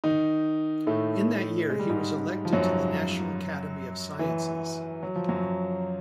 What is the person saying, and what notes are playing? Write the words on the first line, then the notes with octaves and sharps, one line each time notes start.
In that year he was elected to the National Academy of Sciences.
D#3 D#4
A2 A3
G#3
G3
G#2 G#3
F3
F#2 F#3
E3
F#3
F3
F#2 F#3